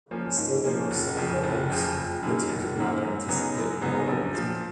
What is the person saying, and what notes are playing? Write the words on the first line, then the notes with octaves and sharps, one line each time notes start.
Still, there were some problems the two could neither anticipate nor avoid.
F3 A#3 C#4
G#2
F3 A#3 C#4
F#1
F2 C#3 F3
F#1
F2 C#3 F3
F#1
F#2 D#3 A#3
F#1
F#2 D#3 A#3
F#2
C#3 F#3 B3 D#4
F#2
C#3 F#3 B3 D#4
A#1
A#2 F3